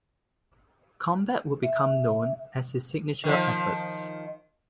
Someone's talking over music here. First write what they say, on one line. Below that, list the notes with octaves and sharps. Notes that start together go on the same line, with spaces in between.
Combat would become known as his signature efforts.
E5
D#3 F3